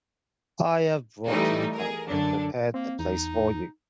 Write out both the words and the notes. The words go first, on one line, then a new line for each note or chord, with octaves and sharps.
I have brought you home and prepared a place for you.
E3 G3 A3 D#4
G#4 A#4
F#2 D3 D4
A#3 C4
E2 D#4